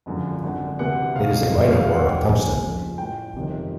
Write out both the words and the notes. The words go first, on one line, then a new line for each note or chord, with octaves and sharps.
It is a minor ore of tungsten.
G#1 F#2 D3 F3
G#1 F#2 D3
D2 C3 E3 F#5
B1 B2 F#3 F5
D2 D3 F#3 E5
F5
F1 E2 C#3 F3 F#5
G5
D#2 D3 F3 G#5
F#1 F2 C#3 F3
A1 A2 F#3 G5
G1 F2 C3 D#3